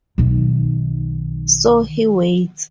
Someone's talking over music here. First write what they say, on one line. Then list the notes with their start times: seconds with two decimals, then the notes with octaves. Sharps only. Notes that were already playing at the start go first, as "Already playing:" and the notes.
So he waits.
0.18 B1 D#3